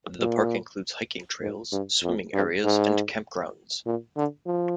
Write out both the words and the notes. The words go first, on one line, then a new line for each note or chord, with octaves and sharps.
The park includes hiking trails, swimming areas and campgrounds.
A#2
G#2
G2
F2
G2
G#2
A#2
D3
F3